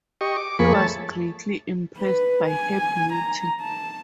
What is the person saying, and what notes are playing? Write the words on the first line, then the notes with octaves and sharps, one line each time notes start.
He was greatly impressed by her beauty.
G4 D#5 C#6
D6
F2 F3 A#3 G#4 B5 C#6
A3 C#5 A5
B4
G#5
A#5
A5